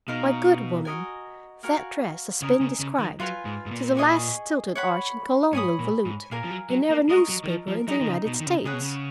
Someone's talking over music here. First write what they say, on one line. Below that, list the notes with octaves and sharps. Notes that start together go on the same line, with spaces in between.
"My good woman, that dress has been described, to the last stilted arch and Colonial volute, in every newspaper in the United States!"
B2 D#4 A#4 F5
F#4 A#4 D#5 G#5
F#4 A#4 F5 G#5
C#3 A#4 D#5 G#5
C#3
C#3
D#3
F#3 F4 B4 F5 G#5
G#2
G#2
A#2
G#4 D#5 G#5 C#6
C#5 F#5 B5
G#2 C#5 G#5 B5 D#6
A#2
G#2
A#2 A#4 F5 G#5
F3
F#3
F#3
A#3
G#3 A#4 D#5 A#5 C#6
F#3
D#3
F3
F3
F#3 D#4 G#4 D#5
D#3
C#3
B2
D#3
C#3
C#3 G#4 C#5 F#5
B2
C#3